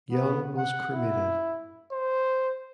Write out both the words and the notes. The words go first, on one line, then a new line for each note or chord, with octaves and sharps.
Young was cremated.
B3
F#5
E4
C5